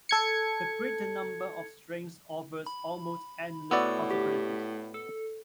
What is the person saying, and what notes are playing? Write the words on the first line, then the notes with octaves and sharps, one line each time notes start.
The greater number of strings offers almost endless possibilities.
A4 G#6 C#7
B5
A2 B3 F#4 D5 E6
G4
A4